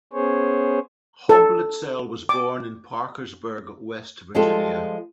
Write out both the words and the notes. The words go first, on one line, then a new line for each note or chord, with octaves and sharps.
Hoblitzell was born in Parkersburg, West Virginia.
B3 C#4 G#4 C5 C#5
A4
D6
F3 G3 G#3 F4 G4 A4